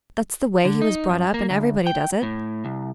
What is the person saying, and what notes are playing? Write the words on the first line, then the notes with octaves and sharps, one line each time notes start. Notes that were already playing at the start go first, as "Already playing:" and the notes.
That's the way he was brought up, and everybody does it.
D3
D#4
F#2
A#3
D2
G5
A2
C2